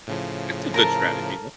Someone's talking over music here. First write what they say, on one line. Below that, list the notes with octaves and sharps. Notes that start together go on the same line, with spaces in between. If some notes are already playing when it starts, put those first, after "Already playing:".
That's a good strategy, yeah.
A2 C#3 F3
A4 A#4 A#5